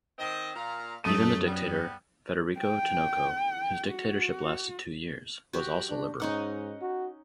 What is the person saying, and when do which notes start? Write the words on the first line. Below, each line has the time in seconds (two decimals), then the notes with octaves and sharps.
Even the dictator Federico Tinoco whose dictatorship lasted two years was also liberal.
0.18 D#3 C4 D#5
0.56 A#2 F5 A#5
1.04 F#2 A3 D#6 D#7
1.45 G3 B3
2.59 G5
3.87 F#4
5.53 F#4 G4
5.90 D4
6.20 G#2 C#4 D#4 F#5
6.81 F#4